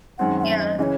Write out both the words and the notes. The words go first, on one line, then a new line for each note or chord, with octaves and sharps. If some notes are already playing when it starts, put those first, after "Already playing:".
Hmm, yeah.
F#2 D#3 G#3 C4 F#5
F#5
E5
E5
D#5
C#3 E3 C#5 D#5